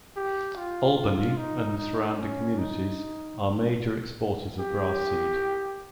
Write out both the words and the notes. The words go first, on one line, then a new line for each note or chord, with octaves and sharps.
Albany and the surrounding communities are major exporters of grass seed.
G4
F4
D#4
D#4
C#4
D#4
G4